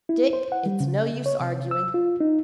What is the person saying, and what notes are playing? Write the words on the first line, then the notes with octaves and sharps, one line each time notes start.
Dick, it's no use arguing.
E4
C5
F#5
G3
C#3
C#5
C3
E6
F4
D#4